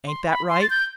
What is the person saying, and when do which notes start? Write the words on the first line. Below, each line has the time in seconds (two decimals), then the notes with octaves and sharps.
Ain't that right?
0.07 C6
0.28 B5
0.49 C6
0.62 A6
0.70 G6